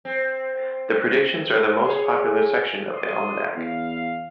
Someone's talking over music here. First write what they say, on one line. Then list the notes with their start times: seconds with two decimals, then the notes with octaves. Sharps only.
The predictions are the most popular section of the "Almanac".
0.05 C4
1.85 G#4 C#5
2.92 D5 C6 D#6
3.56 E2 F5